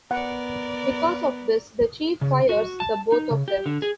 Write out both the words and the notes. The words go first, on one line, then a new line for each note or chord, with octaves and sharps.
Because of this, the chief fires the both of them.
B3 A#4 D5 F#5
C#3
F#4
A5
D#4
C#3
G4
D3
G#4